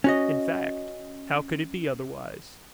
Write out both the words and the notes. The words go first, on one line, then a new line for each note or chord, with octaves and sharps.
In fact, how could it be otherwise?
C#4 F#4 D#5